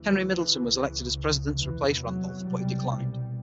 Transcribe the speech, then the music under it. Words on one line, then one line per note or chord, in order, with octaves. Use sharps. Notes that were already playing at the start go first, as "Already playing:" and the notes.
Henry Middleton was elected as president to replace Randolph, but he declined.
Already playing: D2 C#3 E3
C#2 C#3
E2 C3 E3
F#3
C2 B2 G3